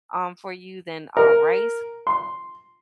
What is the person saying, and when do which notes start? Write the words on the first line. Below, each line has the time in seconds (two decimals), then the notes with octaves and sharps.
um, for you than, uh, rice,
1.17 A#4
2.07 C6